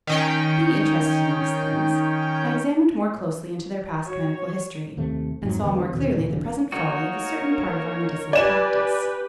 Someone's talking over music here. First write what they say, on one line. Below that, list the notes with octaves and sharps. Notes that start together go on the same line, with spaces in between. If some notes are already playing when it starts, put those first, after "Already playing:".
Being interested in these things, I examined more closely into their past medical history, and saw more clearly the present folly of a certain part of our medicinal practice.
D#3 C#4 G5
F#4 C#5
D#2 C3 A3
F2 G#2 F#3
E2 D3 G#3 B3
D#2 B2 D3
D2 A#2 D3
E1 D3 E3 F3
A#3 D#4 F#4 A#4 C#5
G4 B4 D5 G#5 E7